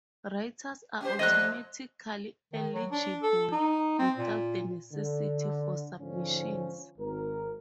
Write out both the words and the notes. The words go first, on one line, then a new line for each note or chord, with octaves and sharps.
Writers are automatically eligible without the necessity for submissions.
C#4 G4 C5
F2 A#2 G#3 D#5 F#6
D#3
F#3
D4
A4
D#4
C4
A#2
D3
G#2 D3 F3 C#4
G#1 A#4